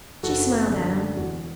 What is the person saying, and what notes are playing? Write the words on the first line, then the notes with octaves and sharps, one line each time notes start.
She smiled at him.
F#1 F#4 A4
F#2 D3
E1 F#4